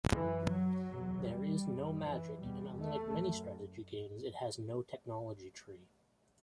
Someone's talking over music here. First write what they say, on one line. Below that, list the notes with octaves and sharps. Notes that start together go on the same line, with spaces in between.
There is no magic, and unlike many strategy games, it has no technology tree.
F#2 E3
F#3
E2 B2
G3
F#2
E3
E2 B2 G3
A3
F#2